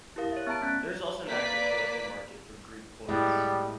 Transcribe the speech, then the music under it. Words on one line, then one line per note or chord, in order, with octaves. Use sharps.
There is also an active collector market for Greek coins.
E4 G4 A#4 F5
C#5 E5
B3 E5 A5 A#5 D7
A3 C#4 F#6 A6
A#3 B4 D5 B6
A2 G3 G#3 B3 E4